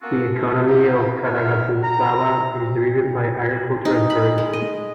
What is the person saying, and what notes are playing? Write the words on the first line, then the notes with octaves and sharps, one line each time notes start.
The economy of the Caraguatatuba is driven by agriculture and tourism.
A#3 B3 C#4 F4 F#4 A4
A3
B3 E4 F4 G4 E5 A#5
G#2 A#4 E5 F6
A#5
D#4
B5
G#3
D#5